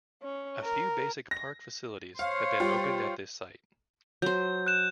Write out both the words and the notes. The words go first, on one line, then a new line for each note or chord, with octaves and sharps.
A few basic park facilities have been opened at this site.
C#4
A#4
A#6
C5 C#5 F5
G3 F4 G4
F#3 C5 G6
F#6 E7